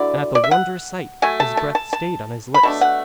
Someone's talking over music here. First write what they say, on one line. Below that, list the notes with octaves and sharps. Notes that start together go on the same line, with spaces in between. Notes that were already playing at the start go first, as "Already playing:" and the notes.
And at the wondrous sight his breath stayed on his lips.
Already playing: D3 F#3 E4 D5
D5
E5
F#5
F#3 A3 G#5
A5
A5
A5
A5
B5
B2 A3 D4 A5
F#5